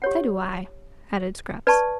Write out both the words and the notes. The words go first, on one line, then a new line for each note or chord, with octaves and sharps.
"So do I," added Scraps.
G4 C#5 F#5
B4 D5 A5 C#6